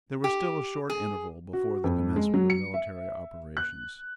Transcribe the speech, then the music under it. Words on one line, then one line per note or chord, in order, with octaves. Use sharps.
There was still a short interval before the commencement of military operations.
G4
G#4
F#4
F2
G#3
F#3
C#7
E5
F#6